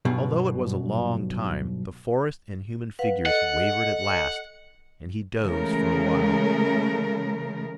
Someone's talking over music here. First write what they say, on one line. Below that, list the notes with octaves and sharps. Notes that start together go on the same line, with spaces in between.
Although it was a long time, the forest and human figures wavered at last, and he dozed for a while.
B1 G2 B2
B4 F5 F#5
A4 D#5 F#5
C#3 E3 G#3 A3 A#4